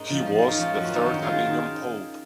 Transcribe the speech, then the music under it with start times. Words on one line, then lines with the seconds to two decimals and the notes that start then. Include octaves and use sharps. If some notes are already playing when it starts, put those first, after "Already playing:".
He was the third Avignon Pope.
Already playing: G#2 A#3 C#4 D#4
0.10 F3
0.26 F3 F4
0.38 A#3 D#4
0.51 C#4 F4
0.58 F3
0.74 F#2 F#4
0.85 F4
0.90 D#3 D#4 F#4
1.06 F#2
1.22 D#3 F4 G#4
1.39 D#3